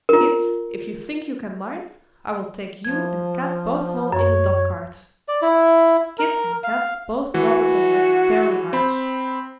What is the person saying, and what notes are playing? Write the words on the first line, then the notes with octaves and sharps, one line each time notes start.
"Kit, if you think you can mind, I will take you and Kat both home in the dog cart." Kit and Kat both nodded their heads very hard.
F4 A#4
F3 G#6
F#2 C#5
D5
E4
A#4
F5
E3 F#4
C4 B5